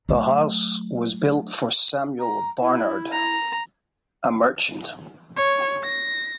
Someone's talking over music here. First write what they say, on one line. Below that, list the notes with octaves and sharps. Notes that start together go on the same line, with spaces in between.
The house was built for Samuel Barnard, a merchant.
F#3 A3
A#5
E4
A#5
C#5
A#6